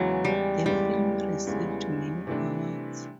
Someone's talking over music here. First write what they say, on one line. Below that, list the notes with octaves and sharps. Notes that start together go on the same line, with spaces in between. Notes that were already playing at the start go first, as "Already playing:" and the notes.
The film received many awards.
Already playing: E2 C#3 E3 F#3 G#3
G3
E2 C#3 E3 G3 G#3
E2 C#3 E3 G#3
C3 E3 A3 D4